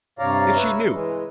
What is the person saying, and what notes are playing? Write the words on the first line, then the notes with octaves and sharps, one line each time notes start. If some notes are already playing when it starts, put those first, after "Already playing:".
If she knew!
G2 C3 C#5 D5 F5 A#5
B4 C#5 E5
E3 G#3